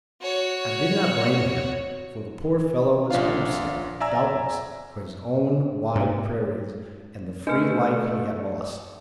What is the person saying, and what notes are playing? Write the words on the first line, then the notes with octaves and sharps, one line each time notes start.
I did not blame him, for the poor fellow was homesick, doubtless, for his own wide prairies and the free life he had lost.
F#4 C#5
A#1 C#4 D4 F4 F5
D5 E5 G#5 A#5 E6
G#2
A3 D4 B4 D#5 C#7